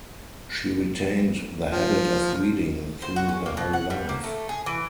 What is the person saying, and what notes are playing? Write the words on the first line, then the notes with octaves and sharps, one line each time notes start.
She retained the habit of reading through her whole life.
F3
C5
F#4
C#4
A#3
B2
F#5
G3
A#3
A3
G#4
E3